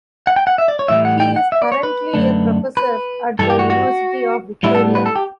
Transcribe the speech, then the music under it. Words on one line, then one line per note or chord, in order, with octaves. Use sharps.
He is currently a professor at the University of Victoria.
F#5
G5
F#5
E5
D5
C#5
A2 E3 G3 E5
F#5
G5
F#5
E5
D5
C#5
B4
F#2 D3 A3 D4
B4
G2 E3 G3 A4
G4
F#4
F#4
A2 G3 B3 D4 E4
A4
B4
A4
G4